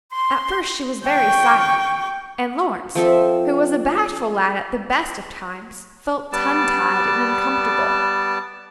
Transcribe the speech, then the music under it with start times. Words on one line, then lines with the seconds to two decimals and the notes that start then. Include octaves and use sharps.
At first she was very silent, and Lawrence, who was a bashful lad at the best of times, felt tongue-tied and uncomfortable.
0.12 C6
1.06 G5 C#6
2.95 F3 C4 A4 E5
6.32 G3 B3 D5 A5